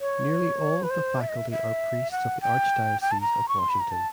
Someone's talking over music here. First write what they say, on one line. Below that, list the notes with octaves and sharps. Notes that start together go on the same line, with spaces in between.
Nearly all of the faculty are priests of the Archdiocese of Washington.
C#5
B4
C5
E5
D#5
E5
E5
F#5
G5
G5
A5
A#5
C#6
C6
B5
A#5
A5